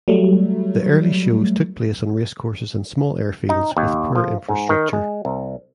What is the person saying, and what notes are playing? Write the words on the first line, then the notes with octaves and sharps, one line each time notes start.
The early shows took place on racecourses and small airfields with poor infrastructure.
F#3 G3 A3
D#4
D#2
F3
G#2
D#3
G#3
C2